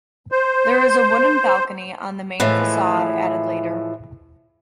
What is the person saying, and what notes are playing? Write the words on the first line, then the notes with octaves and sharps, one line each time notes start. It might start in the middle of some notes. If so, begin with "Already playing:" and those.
There is a wooden balcony on the main facade, added later.
C5
A2 E3 F3 G#3